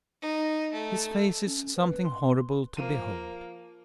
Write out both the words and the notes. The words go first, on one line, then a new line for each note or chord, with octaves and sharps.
His face is something horrible to behold.
D#4
A3
C#4
B4
C6
F3 A#3 D#7